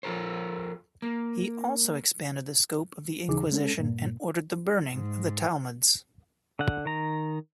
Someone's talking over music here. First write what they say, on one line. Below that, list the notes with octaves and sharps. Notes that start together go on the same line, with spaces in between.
He also expanded the scope of the Inquisition and ordered the burning of Talmuds.
F3 F4 A4 A#4 C5
A#3
D#2 C#3 E3 D#4 G#4 D6
G#3 C#4 A4
G2 A#2 A#3
G#2
D3 F#5
D#3 A#5